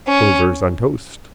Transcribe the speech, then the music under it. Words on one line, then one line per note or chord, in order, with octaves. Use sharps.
Plovers on toast.
C#4